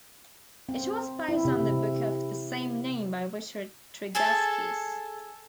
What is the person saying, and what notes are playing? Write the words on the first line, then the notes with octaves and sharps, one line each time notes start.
It was based on the book of the same name by Richard Tregaskis.
C4
E4
C3
G#4 A4 A5